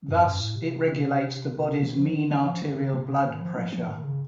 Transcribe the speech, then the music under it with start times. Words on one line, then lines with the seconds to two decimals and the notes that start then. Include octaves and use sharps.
Thus, it regulates the body's mean arterial blood pressure.
0.08 F#2
0.24 F#2
0.40 A2
0.55 C3
1.82 D#3
1.98 F3
2.14 D#3
2.30 D#3
2.46 F3
2.62 D#3
2.77 C#3
2.94 C3
3.09 C#3
3.25 D#3
3.41 F3
3.56 F3
3.72 F3
3.88 D#3
4.04 C#3